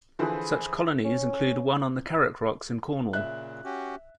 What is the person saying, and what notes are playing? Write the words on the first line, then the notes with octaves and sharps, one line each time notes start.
Such colonies include one on the Carrack rocks in Cornwall.
D3 E3 F3 G#4 B4 C5
C#4
A#2 C#3 E5 F#6
C#4 F#4 G4